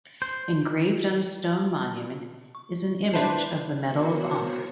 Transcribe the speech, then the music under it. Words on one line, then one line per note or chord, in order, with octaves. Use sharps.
Engraved on his stone monument is an image of the Medal of Honor.
C5
C#6
D4 E4 B4 C5 E5 A5
B3 F#4 A#4 C5 C#5 C#7